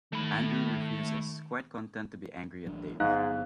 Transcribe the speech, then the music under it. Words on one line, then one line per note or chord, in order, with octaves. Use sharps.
Andrew refuses, quite content to be angry at Dave.
D#3 A3 B5
A1 F#3 D4
G1 G#2 F#3 B3 D#4 F5 F#6